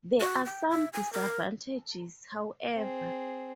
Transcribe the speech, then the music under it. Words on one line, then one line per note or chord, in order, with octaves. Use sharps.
There are some disadvantages, however.
F#4
G5
E5
G#5
A#4
C4 G#4